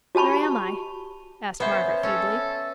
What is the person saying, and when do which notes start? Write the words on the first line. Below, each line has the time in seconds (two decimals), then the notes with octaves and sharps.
"Where am I?" asked Margaret feebly.
0.15 F#4 G4 A5 B5 C#6
1.60 B3 C#4 B4 C5 E5
2.03 C#4 A4